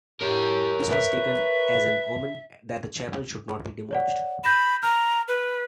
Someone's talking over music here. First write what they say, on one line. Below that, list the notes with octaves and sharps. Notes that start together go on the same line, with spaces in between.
This was taken as an omen that the chapel should not be demolished.
A2 G4 A#4 C#5
B4 E5
C#5 D5 F#5
B5 G6 A#6 E7
A#5 F6
B4